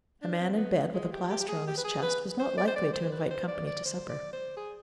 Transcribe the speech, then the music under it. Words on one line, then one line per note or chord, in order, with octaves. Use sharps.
A man in bed, with a plaster on his chest, was not likely to invite company to supper.
D4
C4
B3
B3
G#3
G4
G4
G4
G#4
G4
B4
G#4
B4
C5
D5
C5
D5
C5
B4
C5
D5
D5
C5
D5
C5
G#4